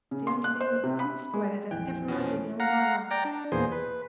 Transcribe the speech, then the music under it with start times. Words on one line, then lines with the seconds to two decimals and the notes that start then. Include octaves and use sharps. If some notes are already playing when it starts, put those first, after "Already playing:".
It's the only thing that wasn't square that ever I did in all my life.
0.11 C#3
0.27 C6
0.44 F#6
0.61 C5
0.84 C3
0.99 B5
1.34 G#3
1.71 A#1 F2 E3 G5
2.08 B2 F3 C#4
2.60 F5 F#5 A#5
3.11 D5 G5 A#5
3.25 D4
3.52 E2 A#2 G#4 C5
3.72 B4